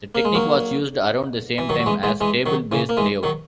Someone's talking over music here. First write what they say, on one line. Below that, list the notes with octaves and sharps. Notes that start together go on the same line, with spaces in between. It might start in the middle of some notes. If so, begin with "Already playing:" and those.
The technique was used around the same time as table-based layout.
A#3
G#3
F#3 A#3
E3
D#3 F#3
F#3
E3 G#3
E3 G#3
E3 G#3
D#3 F#3
C#3 E3
A#3
E3 G#3
D#3 F#3